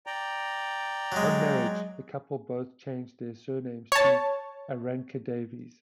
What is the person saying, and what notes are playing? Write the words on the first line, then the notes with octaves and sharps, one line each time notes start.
On marriage the couple both changed their surnames to Irranca-Davies.
D5 G5 A#5
F#3 G#3
C#5 A5